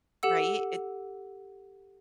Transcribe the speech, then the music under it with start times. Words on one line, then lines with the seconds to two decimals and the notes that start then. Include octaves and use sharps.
Right, it
0.23 G4 A4 F#5 E6